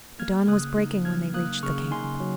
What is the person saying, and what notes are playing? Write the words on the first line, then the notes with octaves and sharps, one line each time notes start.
The dawn was breaking when they reached the camp.
A#3 F6 G#6
C#3 D#6 F#6
D#4
F#3 F6 G#6
A#3 D#6 F#6
C#3 C#6 F6
D#4 G#5 C6
F#3